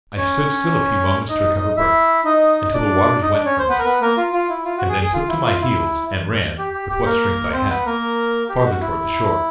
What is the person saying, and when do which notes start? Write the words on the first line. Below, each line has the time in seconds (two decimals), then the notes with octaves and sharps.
I stood still a few moments to recover breath, and till the waters went from me, and then took to my heels and ran with what strength I had farther toward the shore.
0.17 C#4 C#5
1.29 D#4 D#5
1.77 E4 E5
2.25 D#4 D#5
2.74 D4 D5
3.21 D#4 D#5
3.33 D4 D5
3.45 C#4 C#5
3.59 C5
3.69 B3 B4
3.79 A#4
3.85 B3 B4
4.01 A#3 A#4
4.17 F4
4.33 F4
4.50 E4
4.65 F4
4.78 F#4
4.89 G#4
5.02 G#4
5.14 F4
5.29 E4
5.45 F4
5.61 E4
6.58 G4
6.73 G4
6.89 G4
7.05 A#3 A#4
7.53 C4 C5
7.70 B3 B4
7.85 A#3 A#4
8.49 G4
8.65 F#4
8.81 E4